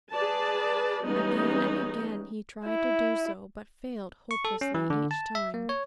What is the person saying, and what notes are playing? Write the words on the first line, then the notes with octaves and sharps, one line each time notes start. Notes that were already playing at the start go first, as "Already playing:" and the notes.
Again and again he tried to do so, but failed hopelessly each time.
G#4 B4 D5 A5
E3 G3 G#3 B3 C#4 D#4
E4
C#6
A4
C#4
E3
D3
A5
E5
A#3
C#5